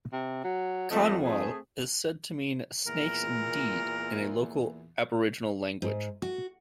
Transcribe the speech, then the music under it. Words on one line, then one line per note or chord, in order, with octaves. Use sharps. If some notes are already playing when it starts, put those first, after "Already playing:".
"Kanwal" is said to mean "snakes indeed" in a local Aboriginal language.
C3
F#3
F2 A3 D#5
A3 C4 G#4
E2 A#2 A#4
G#2
F#4